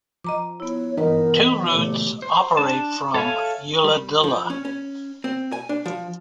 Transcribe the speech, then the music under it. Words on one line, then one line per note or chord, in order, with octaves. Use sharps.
Two routes operate from Ulladulla.
F3 D#5 A#5 D6
B3 E4 C#5
G1 E3 B3 D#4 A#4 B4
C3 B4
F#1 A#2 A3 G4 C#5
C5
D4 A5
A4 C#5 E5 F5 G#5
G3
F3
C#4
C#4
C4
G#5
D4
F3